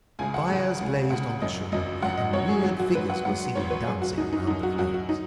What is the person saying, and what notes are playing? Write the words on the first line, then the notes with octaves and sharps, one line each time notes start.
Fires blazed on the shore and weird figures were seen dancing around the flames.
C#2 C#3 G#3 G#5
F#5
C#2 C#3 G#3
C#2 C#3 G#3
C#2 C#3 G#3 F#5
G#1 F#2 F#3 D#5
G#1 F#2 F#3 D#5
G#1 F#2 F#3 F#5
D#5
G#1 F#2 F#3 C#5
G#4
G#1 G#2 F#3 F#4
F#4
G#1 G#2 F#3 B4
F#5
G#1 G#2 F#3 F#5
G#1 G#2 F#3 C#5
B4
F#2 F#3 G#4
F#4
F#2 F#3 D#4
D#4
F#2 F#3 D#4
F#4
F#2 F#3 F#4
F#4
F#3 D#4